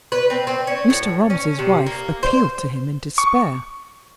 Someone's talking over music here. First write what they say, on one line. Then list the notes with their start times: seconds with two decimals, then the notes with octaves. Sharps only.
Mr. Romsey's wife appealed to him in despair.
0.12 B4
0.30 C4
0.47 C4
0.67 C#4
0.90 A2
1.30 C#4
1.59 C3
1.86 A#3
2.23 C5
3.18 C#6